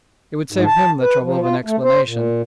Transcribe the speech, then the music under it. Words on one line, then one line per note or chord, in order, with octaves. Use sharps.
It would save him the trouble of an explanation.
G#2
A5
B4
F3
F4
A3
C5
A#2